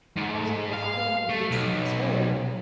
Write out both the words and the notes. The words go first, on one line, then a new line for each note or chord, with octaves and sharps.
and I was like, "Well, I don't wanna be the same as her,
G#2
F5
A3
B1